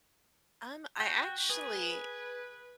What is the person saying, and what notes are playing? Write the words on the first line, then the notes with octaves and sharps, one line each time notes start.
Um, I actually
F#4 G5
G#4 B4